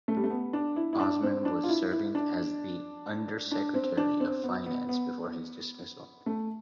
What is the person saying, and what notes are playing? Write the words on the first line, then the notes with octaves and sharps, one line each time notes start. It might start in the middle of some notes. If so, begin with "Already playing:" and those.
Osman was serving as the undersecretary of finance before his dismissal.
A3
G3
A3
B3
D4
E4
E4
D4
C4
D4
F4
E4
E4
D4
D4
C4
D4
C4
B3
B3
B3
A3